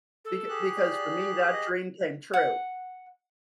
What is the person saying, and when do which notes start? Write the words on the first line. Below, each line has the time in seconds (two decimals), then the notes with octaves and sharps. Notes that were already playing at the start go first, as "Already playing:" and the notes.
beca because for me that dream came true.
0.25 A4
0.49 G4 G#4 F#6
0.77 D5
1.52 D#5
2.34 F#5